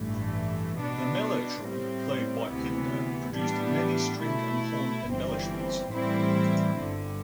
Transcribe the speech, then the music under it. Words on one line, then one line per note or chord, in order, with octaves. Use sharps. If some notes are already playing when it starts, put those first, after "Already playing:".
The mellotron, played by Pinder, produced many string and horn embellishments.
Already playing: A1 G2 E3 A3
B2 B3 D4
A2 G3 C4
D2 C3 E3 B3
A2 E3 G3 B3 D4
B2 A3 E4
G1 G2 E3 G3 C4
A2 E3 G3 C4 E4
G1 G2 D3